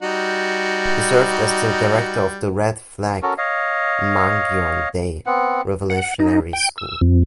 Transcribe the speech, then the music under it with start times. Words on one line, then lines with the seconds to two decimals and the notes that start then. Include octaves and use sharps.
He served as the director of the Red Flag Mangyongdae Revolutionary School.
0.02 G3 D#4 F#4
3.23 C#4 F#4 A4 A#4
3.38 C#5 D#5 F5
5.26 B3 C4 F#5
5.90 F#5
6.20 D#4
6.53 G5
6.78 E6
7.01 F2